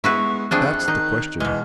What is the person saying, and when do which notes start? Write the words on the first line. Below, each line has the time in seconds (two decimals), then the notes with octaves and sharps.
That's the question.'
0.04 G#3 B3 E4 F#4 B4 C#6
0.51 F2 C4 D4 G#4 E5 C#6 F#6
0.88 D#3 D#4
1.40 B2 E3 G#3 F6